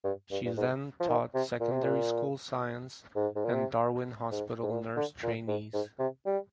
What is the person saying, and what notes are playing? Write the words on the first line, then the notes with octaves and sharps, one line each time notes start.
She then taught secondary school science and Darwin Hospital nurse trainees.
G2
G2
G2
G#2
F3
D#3
C3
A#2
C3
A#2
G#2
G#2
A#2
C3
G#2
G#2
A#2
D3
A#2
G#2
G#2
C3
G3